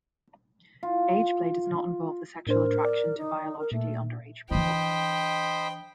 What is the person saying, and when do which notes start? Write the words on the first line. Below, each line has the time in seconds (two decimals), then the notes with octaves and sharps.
Ageplay does not involve the sexual attraction to biologically underage people.
0.83 F4
2.47 A2 D4 A#4 C5
2.85 D5
3.17 D#4
3.58 A#4
3.72 A#2 A3
4.51 E3 D4 C5 D#5 G5 B5